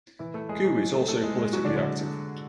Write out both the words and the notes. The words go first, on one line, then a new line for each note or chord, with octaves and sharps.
Gu is also politically active.
E3 E4
A3 A4
G#3 G#4
F#3 F#4
A3 A4
A3 A4
G#3 G#4
G#3 G#4
F#3 F#4
D3 D4
D3 D4